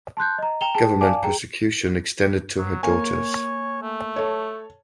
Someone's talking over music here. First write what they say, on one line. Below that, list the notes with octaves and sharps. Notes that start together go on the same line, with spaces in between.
Government persecution extended to her daughters.
A5 C6 F#6 G6
D#5 A#5
G5 A#5 E7 F7 G7
G#4 G5 A5
D5 F5 G#5 A5 D6
G#4 G5 A#5
F#3
A#3 C#5 G#5
A3
A4 C#5